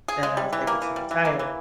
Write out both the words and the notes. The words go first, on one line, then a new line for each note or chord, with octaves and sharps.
that I was able to retire,
G#4
G#3
G3
E3
A#3
E3
G3
E3
A#3
E3